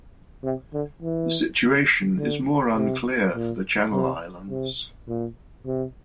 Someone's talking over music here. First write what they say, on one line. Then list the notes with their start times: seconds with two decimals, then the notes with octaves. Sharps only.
The situation is more unclear for the Channel Islands.
0.44 C3
0.73 D3
1.02 E3
2.18 D3
2.77 C3
3.34 A#2
3.92 C3
4.50 C3
5.08 A#2
5.66 C3